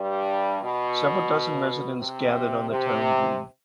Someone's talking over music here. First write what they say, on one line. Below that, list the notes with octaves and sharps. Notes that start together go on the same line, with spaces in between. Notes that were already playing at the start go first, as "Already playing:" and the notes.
Several dozen residents gathered on the town green.
Already playing: G2 G3
B2
C3
C3